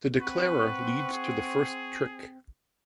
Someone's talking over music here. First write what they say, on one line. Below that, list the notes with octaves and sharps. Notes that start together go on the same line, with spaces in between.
The declarer leads to the first trick.
C4 B4 F#5 C#6
G#4